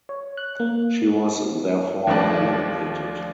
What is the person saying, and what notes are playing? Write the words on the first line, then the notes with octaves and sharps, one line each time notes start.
She was therefore eliminated.
C#5
F#6
A#3
D#2 F3 A3 D4